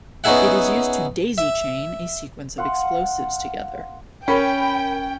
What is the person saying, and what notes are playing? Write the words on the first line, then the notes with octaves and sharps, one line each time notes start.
It is used to "daisychain" a sequence of explosives together.
B3 C#4 D#4 G#4 E5 F#5
E5
F5 F#5 C6
C#4 A#4 G5 B5